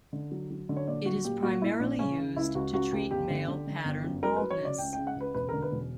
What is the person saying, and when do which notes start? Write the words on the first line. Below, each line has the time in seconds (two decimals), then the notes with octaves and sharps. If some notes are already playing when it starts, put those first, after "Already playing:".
It is primarily used to treat male pattern baldness.
0.13 D3
0.32 F#3
0.50 F#3
0.69 D3
0.76 C#5
0.88 A#2 D5
1.06 F#3 F#4
1.24 A#2 G4
1.43 A#2 F#4
1.61 A#2 E4
1.80 A#1 D4
1.99 C#3 C#4
2.18 C#3
2.36 C#2 E4
2.55 C#2 F#4
2.74 C#2 F#4
2.92 C#2 G4
3.11 G1 G4
3.30 D3
3.48 D3
3.67 D3
3.85 G1
4.04 F#2
4.23 F#3 A#4
4.37 B4
4.42 F#3
4.50 C#5
4.61 C#3 D5
4.78 C#2 G5
4.93 C#3 G5
5.07 F#5
5.16 C#2 B4
5.34 E1 B4
5.49 D3 A#4
5.62 B4
5.72 E1